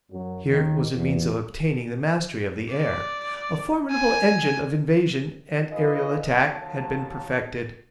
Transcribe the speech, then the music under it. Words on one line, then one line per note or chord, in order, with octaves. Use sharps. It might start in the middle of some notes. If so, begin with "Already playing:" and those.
Here was a means of obtaining the mastery of the air: a formidable engine of invasion and aerial attack had been perfected.
F#2 F#3
D#2 D#3
E2 A#2
D5
G#5
E4 F4 G#4 B4 D#5
D#2 F#3 A5